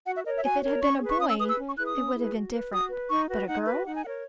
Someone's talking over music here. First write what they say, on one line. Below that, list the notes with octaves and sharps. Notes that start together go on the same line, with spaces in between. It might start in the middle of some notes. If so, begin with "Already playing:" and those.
If it had been a boy, it would have been different--but a girl!
F#4 F#5
E5
A#4 C#5 D#5
E5
F#4 G#5
A#4 C#5
C#4 C#6
G#4 B4
C#6
C#4 D#6
E6
G#4 B4 D#6
E6
C#4
C#6
E4 G#4 B4 F#6
D#6
C#4
E4 G#4 B4
F#4
B4
F#4 D#6
B4
D#4 C#6
F#4 B4
D#4 F#5
F#4 B4
D#4 F#5
G#5
A#4 C#5 F#5